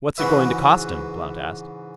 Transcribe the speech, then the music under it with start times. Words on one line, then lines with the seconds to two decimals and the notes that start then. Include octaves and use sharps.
"What's it going to cost him?" Blount asked.
0.18 G#2 C#3 E3 F#4 B4 E5